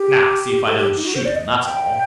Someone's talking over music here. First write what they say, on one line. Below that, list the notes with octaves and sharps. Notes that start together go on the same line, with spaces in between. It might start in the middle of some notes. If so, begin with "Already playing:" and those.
'Now see if I don't shoot him, that's all.'
Already playing: G4
A4
G4
D#4
F#4
C5
D5
D#5
G5